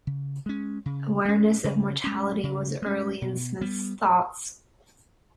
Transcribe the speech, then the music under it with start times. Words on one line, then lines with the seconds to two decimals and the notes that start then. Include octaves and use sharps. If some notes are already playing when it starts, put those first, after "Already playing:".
Awareness of mortality was early in Smith's thoughts.
0.07 C#3
0.46 G#3 C#4
0.86 C#3
1.25 G#3 C#4
1.64 C#3
2.04 G#3 C#4
2.44 C#3
2.82 G#3 C#4
3.22 B2
3.61 G3 B3